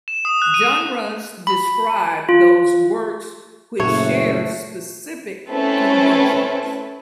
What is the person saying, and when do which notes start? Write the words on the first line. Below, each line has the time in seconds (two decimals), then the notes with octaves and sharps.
Genres describe those works which share specific conventions.
0.08 E7
0.25 D#6
0.42 F#6
0.54 D#7
1.47 B5
2.29 F4
3.80 F#1 A#2 A3 A#3 E4 F#4 C#5
5.49 A3 C4 C#4 E4 A4 B4